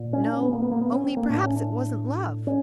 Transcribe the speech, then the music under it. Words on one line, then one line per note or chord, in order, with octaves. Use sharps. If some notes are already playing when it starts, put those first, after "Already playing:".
"No, only perhaps it wasn't love."
Already playing: A#2
C#4
D4
C#4
B3
A#3
B3
A#3
B3
C#4
C4
A#3
A2 D4
C#4
D4
C#4